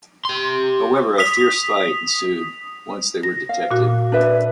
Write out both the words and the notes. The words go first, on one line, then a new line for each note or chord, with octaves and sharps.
However, a fierce fight ensued once they were detected.
G4 C6
D#6 B6 F7
A#6
F5
A#2 F#4
D4 B4 E5